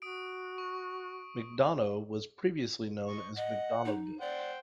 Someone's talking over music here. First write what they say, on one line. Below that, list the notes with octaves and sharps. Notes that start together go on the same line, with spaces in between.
McDonogh was previously known as McDonoghville.
F#4 D#6 D7
C#6
D#5 C#6
D#5 F#5
D#4
C5 D5 F#5 G5